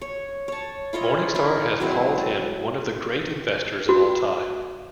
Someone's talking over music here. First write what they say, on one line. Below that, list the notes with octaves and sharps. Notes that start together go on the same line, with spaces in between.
Morningstar has called him "one of the great investors of all time".
C#5
C#5 A5
E4 F4 C#5 D#5
E4 A#4
F#3 G#3 C4 E4
F#4